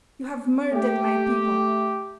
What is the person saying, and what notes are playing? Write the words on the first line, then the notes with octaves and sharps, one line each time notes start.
You have murdered my people!
A3 G4